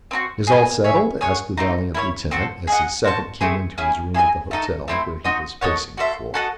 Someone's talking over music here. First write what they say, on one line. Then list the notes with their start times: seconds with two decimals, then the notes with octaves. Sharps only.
"Is all settled?" asked the valiant lieutenant, as his second came into his room at the hotel, where he was pacing the floor.
0.11 C4 D#4 F#4
0.47 G#4 D#5 G#5
0.84 G#4 C#5 E5
1.21 G#4 C#5 F#5
1.57 A3 C4 D#4
1.94 E4 A4 C#5
2.31 C4 F#4 A4
2.67 G#4 D#5 F#5
3.04 F#4 C5 E5 A5
3.41 A3 C4 E4 G#4
3.78 C#4 E4 G#4
4.14 E4 G#4 D#5 G#5
4.51 A3 D#4 A4
4.88 A3 C4 E4 C5
5.24 D#4 F#4 C5 D#5
5.61 D#4 A4 C#5 F#5
5.97 F#4 A4 C5 E5
6.34 F#4 A4 D#5 F#5